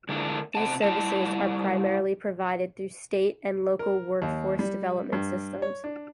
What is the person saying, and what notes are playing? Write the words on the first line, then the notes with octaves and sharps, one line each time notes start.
These services are primarily provided through state and local workforce development systems.
D3 G#3 D4 E4 A4 A#4
C3 F#5 A5
G3 E4 F#5 A5
A#4
D#2
G3
G2
C#5
D4